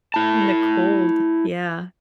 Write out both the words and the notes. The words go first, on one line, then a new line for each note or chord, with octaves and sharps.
In the cold, yeah.
E4 A5